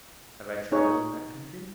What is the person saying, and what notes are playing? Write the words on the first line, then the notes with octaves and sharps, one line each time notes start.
Have I travelled in that country?
D#4 G#4 C#5